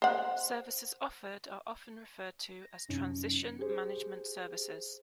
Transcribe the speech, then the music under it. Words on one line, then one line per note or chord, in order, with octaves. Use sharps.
Services offered are often referred to as transition management services.
C5 F#5
A#6
F#2 C3 C#4 D#4
C#7
G4 G#4 C5